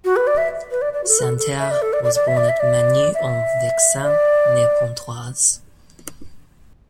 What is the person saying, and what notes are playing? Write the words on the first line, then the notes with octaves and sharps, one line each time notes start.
Santerre was born at Magny-en-Vexin, near Pontoise.
F#4
B4
D5
E5
B4
D5
D5
F#4
A4
B4
A4
A4
E5
D5
A4
D5
D5
D5
E5
D5
E5
D5
E5
D5